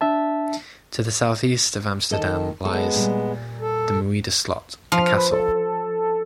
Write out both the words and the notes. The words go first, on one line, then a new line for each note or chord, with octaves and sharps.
To the southeast of Amsterdam lies the Muiderslot, a castle.
D4 E5 A5
D#3 A4 D#5 A5
G#3 B3 A4
A#2 G3
A4
F3 F6
B4
A4